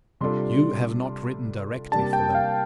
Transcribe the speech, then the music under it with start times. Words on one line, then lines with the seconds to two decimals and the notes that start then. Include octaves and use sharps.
You have not written directly for them.
0.21 C3 G3 D4 F4 A4 C6
1.92 C3 G3 A#3 D4 G4 A5
2.13 G5
2.35 F5